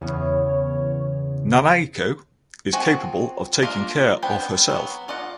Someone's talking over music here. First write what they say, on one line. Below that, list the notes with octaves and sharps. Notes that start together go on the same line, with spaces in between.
Nanako is capable of taking care of herself.
E2 C#3 B3 C#5
F3 C4 F#4 G#4 D#5
A#3 D4 F4 A#4
B3 C4 D4 G5 B5
F#3 B3
F4 D5 D#5 F#5